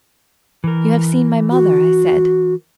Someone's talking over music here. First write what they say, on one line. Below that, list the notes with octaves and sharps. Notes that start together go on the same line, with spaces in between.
"You have seen my mother," I said.
E3 A#4
F#4